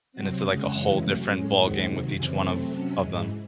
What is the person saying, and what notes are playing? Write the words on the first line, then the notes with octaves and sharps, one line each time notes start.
and it's, like, a whole different ballgame with each one of of them,
C3 F#3 C4 F#5
C#3 G#3 C#4 F#5
F#2 C#3 E3 G#3 C#4
C3 F#3 A3 C#4
A2 G#3 C#4
D#2 D#3 G#3 C4 F#5
C3 D#3 F#3
F#2 C#3 E3 C4 G#5
C3 F#3 A3 C4 A5
C3 F#3 C#4 A5
G#2 E3 G#3 G#5